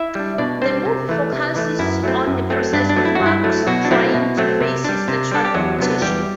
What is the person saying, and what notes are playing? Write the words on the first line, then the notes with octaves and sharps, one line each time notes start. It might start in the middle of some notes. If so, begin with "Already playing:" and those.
The movie focuses on the process of Mark's trying to face his sexual orientation.
Already playing: E4 E5
G3 D4
B2 D4 D5
G3 C4 D4 C5
C3
E3 A3
C3
E3 A3
F#2 E4
F#3 A3 C4
F#2
F#3 A3 C4
G2 D4
D4
F#3 A3
E4
G2 F#4
E4
F#3 A3
B2 F#3 F#4
D4
F#3 A3 C4 E4
B2
F#3 A3 C4
C3
G3 D4
C3
G3 D4 A4
G4
E2 F#3 F#4
C3 F#3 B3 D4
E2 G3 G4